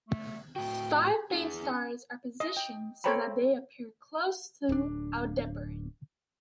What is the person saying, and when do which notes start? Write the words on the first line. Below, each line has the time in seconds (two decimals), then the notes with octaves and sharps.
Five faint stars are positioned so that they appear close to Aldebaran.
0.09 A3
0.56 A2 F#4 G5
1.31 D4 E4 G#4
1.63 C#4
2.40 D#5
2.57 G5
3.04 A4 C5 C#5 G5 A#5 B5
4.69 D1 D4